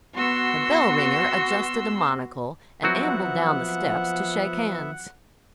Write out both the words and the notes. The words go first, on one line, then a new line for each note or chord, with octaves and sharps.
The bell-ringer adjusted a monocle and ambled down the steps to shake hands.
B3 F#4 C6 E6
F3 F#3 B3 C4 F#4 E5 F#5